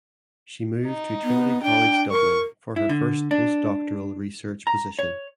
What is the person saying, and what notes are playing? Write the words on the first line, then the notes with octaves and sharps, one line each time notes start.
She moved to Trinity College Dublin for her first postdoctoral research position.
D#4
B3
D4 G5
A#4 C#6
E4
D3
D4
A#5
C#5